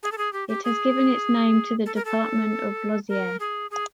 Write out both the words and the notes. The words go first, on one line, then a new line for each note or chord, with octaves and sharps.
It has given its name to the department of Lozère.
G#4
A4
G#4
G4
G4
G#4
A4
A#4
A4
A#4
G#4
G#4